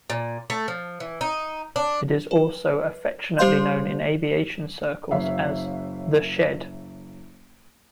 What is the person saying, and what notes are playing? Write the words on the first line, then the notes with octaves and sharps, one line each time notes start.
It is also affectionately known in aviation circles as "The Shed".
A#2
A3
F3
E3
D#4
D4
B4
G3 G4 C5 F5 C6 G6
F#1 C#5 E5 F5